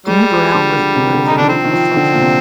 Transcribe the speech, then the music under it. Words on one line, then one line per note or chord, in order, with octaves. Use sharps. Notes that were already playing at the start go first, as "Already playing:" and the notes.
Timbrell was viewed as being a centrist.
G3 G#3
F3
D3
D3
C3
D3
D3 D#4
D#3 D4
F3 C4
D#3
F3
D3
A#2
C3